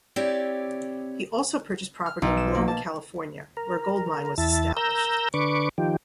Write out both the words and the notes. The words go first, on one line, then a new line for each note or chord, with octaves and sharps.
He also purchased property in Paloma, California, where a gold mine was established.
C4 E4 G4 C#5 D5
F6
B1
E7
A#3
A5
A#4
E2 E4 A5
A#4 A#5 E6 G6
D3 B4 C#6 D6
D#3 F3 G4